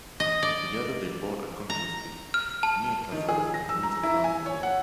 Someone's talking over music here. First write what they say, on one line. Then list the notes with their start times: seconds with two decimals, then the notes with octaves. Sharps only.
Together they bought a country estate near Kazan and moved the family there.
0.20 D#5
0.43 D5
1.70 A#5
2.34 F6
2.63 A5
3.12 D#3
3.29 G#4
3.54 A#6
3.69 E6
3.83 A#5
4.03 E4
4.24 G#5
4.46 C#5
4.63 F#5